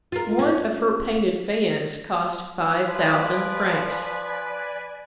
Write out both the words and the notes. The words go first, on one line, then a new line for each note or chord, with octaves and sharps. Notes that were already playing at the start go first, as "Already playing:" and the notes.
One of her painted fans cost five thousand francs.
F4 A#4
C#4
F3 B4 D5 G#5